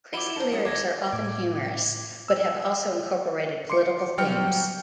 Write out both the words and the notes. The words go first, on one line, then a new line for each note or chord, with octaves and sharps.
Crazy's lyrics are often humorous, but have also incorporated political themes.
F3 E4 F#4 B5 D6 G7
A#4 C5 A5 A#5
G3 G#4 C#5 F#5
D#2 E5 D6 G#6 A#6
A2 D6 G#6
E6
C6 D6 C#7
F#3 G3 G5 F6 C#7